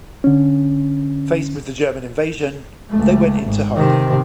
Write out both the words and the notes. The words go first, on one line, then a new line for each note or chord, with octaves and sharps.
Faced with the German invasion, they went into hiding.
D3 C#4
C#2 A3
G#1
C3 D#3